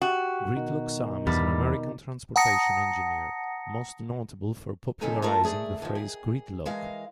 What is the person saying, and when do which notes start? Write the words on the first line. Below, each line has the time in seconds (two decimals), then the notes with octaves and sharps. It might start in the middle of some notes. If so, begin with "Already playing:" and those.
Gridlock Sam, is an American transportation engineer, most notable for popularizing the phrase "gridlock".
0.02 F#4 G4
0.56 B2 D#3 D#4
1.27 E2 G3
2.36 F#5 A5 A#5 D#6 A#6 C#7
5.01 F#2 C3 D#3 A4 G#5 A#5
5.22 A3 F4 A4 A#4
5.44 A3 G#4 D5
5.82 D#2 F3
5.95 G#4
6.65 E3 G#3 A#4 F5